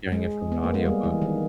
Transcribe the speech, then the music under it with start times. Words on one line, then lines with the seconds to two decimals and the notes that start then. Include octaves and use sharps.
hearing it from an audiobook.
0.12 G#3
0.52 B3
0.63 A#3
0.74 G#3
0.85 G3
1.03 E3
1.22 D#3